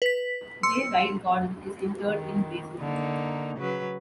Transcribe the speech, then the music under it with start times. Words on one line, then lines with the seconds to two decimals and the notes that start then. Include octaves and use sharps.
J. Wright Gordon is interred in Brazil.
0.02 B4 B6
0.63 C6 E6 C#7
2.03 D#3
2.79 D3 A#3 D#4
3.57 C#3 F#3 B4